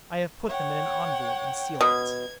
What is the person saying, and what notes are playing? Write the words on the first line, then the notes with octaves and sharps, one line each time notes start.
I have put them in an envelope, and sealed it.
C#5 F#5 G5
B2 G#6